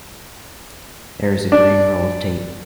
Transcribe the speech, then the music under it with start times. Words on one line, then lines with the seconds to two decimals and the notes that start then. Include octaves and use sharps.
There is a green roll of tape.
1.52 D4